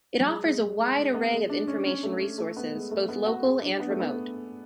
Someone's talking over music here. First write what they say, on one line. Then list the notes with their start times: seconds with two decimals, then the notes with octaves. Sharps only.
It offers a wide array of information resources, both local and remote.
0.20 F#3
0.26 G#3
0.44 G#3
0.61 G#3
0.79 G#3
0.97 G#3
1.14 B3
1.32 G#3
1.50 D4
1.68 C#4
1.85 C#4
2.03 A3
2.38 A3
2.57 B3
2.74 G#3
2.91 A3
3.09 B3
3.26 F#4
3.45 G#4
3.62 D4
3.80 B3
3.90 A3
4.00 B3